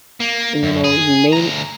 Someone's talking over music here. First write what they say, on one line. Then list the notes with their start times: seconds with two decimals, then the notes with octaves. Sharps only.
And, you know, you may
0.20 A#3
0.63 F#2
0.84 G#4
1.33 D2 A#5